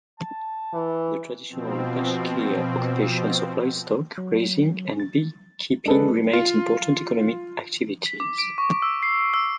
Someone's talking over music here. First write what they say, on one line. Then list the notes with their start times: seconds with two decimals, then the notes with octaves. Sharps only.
The traditional Bashkir occupations of livestock raising and beekeeping remain important economic activities.
0.20 A5
0.74 E3
1.49 B2 F3 C4
4.18 F#3
5.00 A6
5.86 G#3 D4 G#4 A4 B4
6.33 F4
8.06 B6
8.20 D6
8.38 D7
8.58 C#6
8.82 E6
9.03 C7
9.34 E6